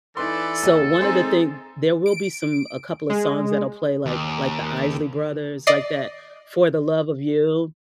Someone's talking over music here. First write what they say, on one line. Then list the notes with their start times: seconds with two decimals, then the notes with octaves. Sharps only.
So, one of the thing there will be some a couple of songs that'll play, like like The Isley Brothers, like, that "For the Love of You."
0.17 E3 D#4 A4 B4 D5 B5 C6
0.63 D#2 D#5
1.00 G#3 C4 D#4 G#4 C5
2.06 D7
3.10 G#3
4.06 D#2
5.67 D5 D#5 C7